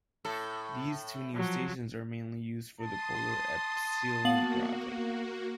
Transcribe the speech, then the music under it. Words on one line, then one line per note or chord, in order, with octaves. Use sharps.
These two new stations are mainly used for the Polar Epsilon project.
A2 A4
F3 F#3
A5 C6 D#6
A#3 B3 F#4 F5 F#7